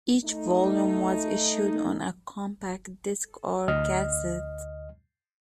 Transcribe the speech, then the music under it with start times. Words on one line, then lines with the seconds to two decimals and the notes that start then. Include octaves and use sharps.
Each volume was issued on a compact disc or cassette.
0.25 A3 D#4
3.68 D2 D#5 F6